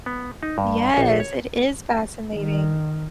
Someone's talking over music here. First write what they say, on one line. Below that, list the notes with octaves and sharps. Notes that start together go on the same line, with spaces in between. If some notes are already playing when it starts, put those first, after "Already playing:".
Yes, it is fascinating.
B3
D#4
G2
A#1
C#5
D#3